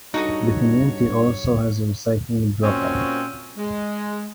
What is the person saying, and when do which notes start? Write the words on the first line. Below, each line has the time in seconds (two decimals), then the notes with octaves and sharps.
The community also has a recycling drop off.
0.14 G2 D#4 F#4 A4 C#5 D#6
2.63 A#2 C4 C#4 F#4
3.57 G#3